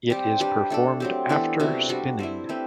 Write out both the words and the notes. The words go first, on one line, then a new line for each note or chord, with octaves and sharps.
It is performed after spinning.
G3 C4 G4
G3 D4 G4 B4
A3 D4 A4
F#3 C4 G4
E3 B3 D4 A4
C3 G3 B3 F#4
G3 D4 F#4
G3 C4 E4
A3 C4 G4 B4